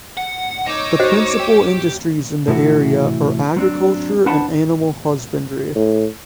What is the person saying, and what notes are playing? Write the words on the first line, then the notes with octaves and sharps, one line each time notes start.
The principal industries in the area are agriculture and animal husbandry.
F#5
D#4 C#5 D6 E6
F#4 C5 D#5
G4
A2 C3 E3 E4 F#4
F#3 C4 D4
D4 B4 C5 F#5 A5 B5
A2